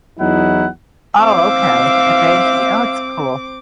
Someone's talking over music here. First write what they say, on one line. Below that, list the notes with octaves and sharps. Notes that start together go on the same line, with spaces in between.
Oh okay, "Dhivehi," oh it's cool.
E2 F#3 D#4 E4 F#5
C4 E5 F5 D6